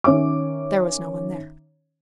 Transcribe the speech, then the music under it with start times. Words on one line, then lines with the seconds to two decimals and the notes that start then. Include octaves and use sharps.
There was no one there.
0.04 D#3 C#4 C#5 E5 D6